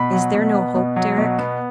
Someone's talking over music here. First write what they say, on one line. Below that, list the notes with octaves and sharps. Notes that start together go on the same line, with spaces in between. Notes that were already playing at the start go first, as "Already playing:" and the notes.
"Is there no hope, Deryck?"
Already playing: B2 B5
F#3
B2
B3
B2
F#3
B2
B3